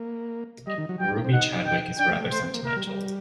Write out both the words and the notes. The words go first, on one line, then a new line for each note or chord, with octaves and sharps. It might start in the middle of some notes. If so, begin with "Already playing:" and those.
Ruby Chadwick is rather sentimental.
Already playing: A#3
G3 D#5
D#3
F#3
F#3 G5
G3
A#3
C4
D#4 F#5
G5
D4 G5
A3
A3
A3 C5
C4
A#3
A#3 A#4
G3
G3